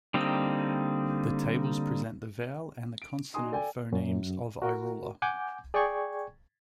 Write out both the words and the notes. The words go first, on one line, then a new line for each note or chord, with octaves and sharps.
The tables present the vowel and the consonant phonemes of Irula.
D3 G3 A#3 C4 D#4
D7
D#4 F#4 G#5 C6 D#6
A4 D5 G5 G#5
F#2
F#4 A#4
F#5 G#5 D6 G6
G#4 D5 G5 G#5 C#6 G#6